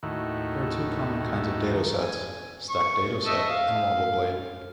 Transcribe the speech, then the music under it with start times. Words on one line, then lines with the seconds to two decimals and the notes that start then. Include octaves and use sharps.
There are two common kinds of dado sets, stacked dado set and wobble blade.
0.03 D#2 A2 D#3 E4 F#4
1.97 G#5
2.69 C#6
3.25 A3 A4 D#5
3.49 F5